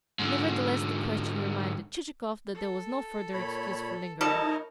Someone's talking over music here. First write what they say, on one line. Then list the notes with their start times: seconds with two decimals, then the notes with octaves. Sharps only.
Nevertheless the question reminded Chichikov that there was no further excuse for lingering.
0.19 G#2 D3
2.54 A4
3.32 A#2 C#5 B5
4.21 F3 G3 D#4 E4 A4 A#4 C#5 D#5